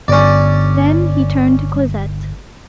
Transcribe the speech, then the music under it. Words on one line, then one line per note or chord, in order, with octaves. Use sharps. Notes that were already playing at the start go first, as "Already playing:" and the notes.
Then he turned to Cosette.
G1 C#4 D5